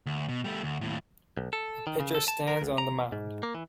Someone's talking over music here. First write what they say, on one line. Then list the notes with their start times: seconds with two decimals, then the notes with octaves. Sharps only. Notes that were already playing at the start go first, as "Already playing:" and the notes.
A pitcher stands on the mound.
0.06 D2
0.29 B2
0.44 G3 A3
0.63 D2
0.81 D#2 A2
1.37 B1
1.53 A4
1.87 D#3
2.00 C#3
2.15 A4
2.28 A5
2.47 A#4
2.62 C#2
2.78 A#5
3.12 G#2
3.43 A#3
3.55 E3